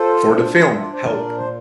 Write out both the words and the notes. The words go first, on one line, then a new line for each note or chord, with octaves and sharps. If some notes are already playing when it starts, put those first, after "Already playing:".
For the film Help!
Already playing: F4 A4 C5
D4
D4 E5
D5
C5
A#4 D5
A#2
C5